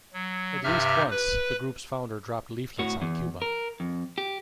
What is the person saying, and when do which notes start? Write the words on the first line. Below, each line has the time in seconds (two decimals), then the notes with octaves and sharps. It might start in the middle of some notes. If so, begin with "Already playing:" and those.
At least once, the group's founder dropped leaflets on Cuba.
0.13 F#3
0.64 G2 C3 G4 E5 F6
1.11 B4
2.79 A2 F#4
3.02 E2
3.42 A#4
3.80 F2
4.18 G4